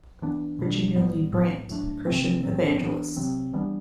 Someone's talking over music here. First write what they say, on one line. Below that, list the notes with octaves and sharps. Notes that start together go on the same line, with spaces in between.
Virginia Lee Brandt, Christian evangelists.
E3 B3 D4
B2 G3 D4
A2 G3 B3
A2 F#3 B3
A2 F#3 A3 D4
C3 E3 A3 C4
A2 F#3 C4
E3 B3 D4
C3 F#3 C4
E3 G3 B3 D4